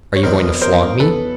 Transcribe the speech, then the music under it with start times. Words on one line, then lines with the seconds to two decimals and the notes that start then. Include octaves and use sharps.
Are you going to flog me?
0.16 C#5
0.23 E2 B2 F#3 A#4 C5
0.62 A#4 C5
1.00 A4 B4